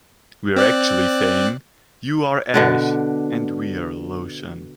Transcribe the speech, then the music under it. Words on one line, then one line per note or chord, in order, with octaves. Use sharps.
We're actually saying, 'You are ash and we're lotion.
C4 D5 F#6
B2 D3 D4